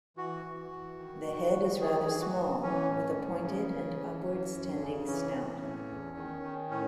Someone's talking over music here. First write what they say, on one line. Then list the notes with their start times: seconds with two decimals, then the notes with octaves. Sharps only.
The head is rather small, with a pointed and upwards-tending snout.
0.16 E3 F#4
0.45 E3
0.71 E3
0.98 D#3
1.26 D#3
1.53 D#3
1.81 E3 G#4
2.01 G#4
2.08 E3
2.21 F#4
2.35 E3
2.62 E3 C#4
2.90 A2
3.17 A2
3.44 C#3
3.71 C#3
3.98 E3
4.25 E3
4.53 F#2
4.81 C#3
5.07 E3 C#4
5.35 E3
5.62 A2
5.89 E2
6.16 D#3
6.43 D#3
6.70 A2 C#4